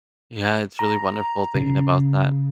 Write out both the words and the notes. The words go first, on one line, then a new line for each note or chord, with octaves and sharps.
Yeah, it's really wonderful thinking about that,
A#5
C#3